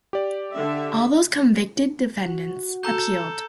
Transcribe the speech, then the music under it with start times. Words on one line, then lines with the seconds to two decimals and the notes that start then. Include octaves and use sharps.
All those convicted defendants appealed.
0.13 G4 D5
0.54 D3 E5
2.25 F#4
2.83 A4 A#5 G6